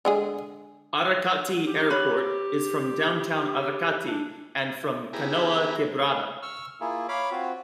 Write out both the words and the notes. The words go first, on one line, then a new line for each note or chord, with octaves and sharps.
Aracati Airport is from downtown Aracati and from Canoa Quebrada.
D3 G#3 G#4
G4
B4 C#5 B5
D4
B3 E4 G4 G#4 A#5
C#6 E6 F6
A#3 E4 F4 G#4
C#5 F5 B5 D6
C4 F4 F#4